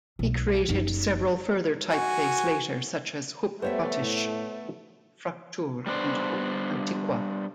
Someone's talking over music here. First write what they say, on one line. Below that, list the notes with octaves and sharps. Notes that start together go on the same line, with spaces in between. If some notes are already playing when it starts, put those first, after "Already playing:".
He created several further typeface later, such as "Hupp-Gotisch", "Hupp-Fraktur", and "Hupp-Antiqua".
B1
F#1 D#4
F#4 G#5
G3 A3 B3 C5 C#5 E5
A2
G3 B3 D4 C5